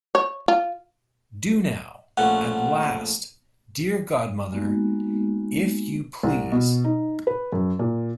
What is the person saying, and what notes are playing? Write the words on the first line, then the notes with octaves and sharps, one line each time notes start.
Do now, at last, dear godmother, if you please!
C#5
F4
A#1 A3 C#4 F#5
G#3 A#3 B3 D#4 F#4
C2
B2
D#4
B4
F#2
A#2